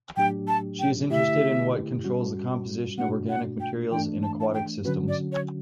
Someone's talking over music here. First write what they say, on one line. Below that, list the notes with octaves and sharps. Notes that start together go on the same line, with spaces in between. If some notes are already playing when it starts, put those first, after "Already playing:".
She is interested in what controls the composition of organic materials in aquatic systems.
A2 F#3 A3 D4 G4 G5
A5
G5
D3 A3 E4 G4 E5
G3 C#4 F#4
B2 A3 D4 F#4 F#5
F#5
G5
E3 A3 D4 G5
A5
A5
G5
D3 F#3 C#4 F#4 B4
D5
C#5